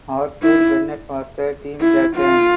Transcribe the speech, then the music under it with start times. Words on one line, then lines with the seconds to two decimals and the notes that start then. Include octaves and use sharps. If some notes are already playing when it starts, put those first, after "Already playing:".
Arthur Bennett was the team captain.
0.42 E4
1.81 E4
2.16 F4